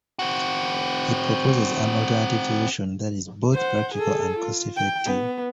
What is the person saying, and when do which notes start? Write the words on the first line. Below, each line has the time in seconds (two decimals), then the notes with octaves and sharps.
It proposes an alternative solution that is both practical and cost effective.
0.19 C4 F#4
3.54 C5 F#5
3.95 G#4 A4
4.39 F4
4.76 G5
5.05 B3